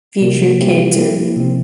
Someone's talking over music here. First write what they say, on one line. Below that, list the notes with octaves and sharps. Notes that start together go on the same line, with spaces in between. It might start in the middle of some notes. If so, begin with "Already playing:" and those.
future kids, or
C3 F3 A#3
C3 G3 C4 E4 G4
F3 A#3 E4 G4
C3 F3 C4